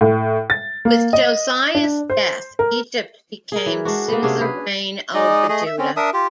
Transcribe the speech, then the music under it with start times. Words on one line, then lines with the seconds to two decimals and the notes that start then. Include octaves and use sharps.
With Josiah's death Egypt became suzerain over Judah.
0.01 A2
0.50 A6
0.85 A#3
1.13 D#5
1.75 D4
2.10 C5
2.59 A#4
3.52 G#4 A#4
3.66 E3
3.85 G#3 D4 F#4
4.08 A#3 B3
4.23 C3 C#4 D4 G#4
4.41 G#4 B4
5.14 G#3 D#4 D5 D#5
5.49 A3 G#4 D#5
5.66 E5
5.78 C4 C#4
5.97 D4 A#4 E5 D#6
6.13 F4 G4